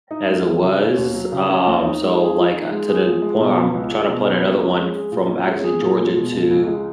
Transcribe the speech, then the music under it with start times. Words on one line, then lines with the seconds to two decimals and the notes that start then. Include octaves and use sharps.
as it was. Um, so like, uh, to the point I'm trying to plan another one from actually Georgia to,
0.11 D#4
0.28 G#2
0.46 F#3
0.63 C#3
0.80 C#4
0.97 D#2
1.14 F#3
1.32 C#3
1.49 C#4
1.67 D#2
1.84 D#4
2.02 G#3
2.19 G#4
2.36 F3
2.52 D#4
2.71 G#3
2.88 G#4
3.05 F3
3.22 G#3
3.40 B2
3.56 B3
3.74 C#2
3.91 G#3
4.09 B2
4.25 B3
4.43 C#2
4.60 C#4
4.77 G#3
4.95 G#4
5.12 A#2
5.29 C#4
5.46 G#3
5.63 G#4
5.81 A#2
5.98 G#3
6.16 B2
6.33 C#2
6.51 C#2
6.68 G#3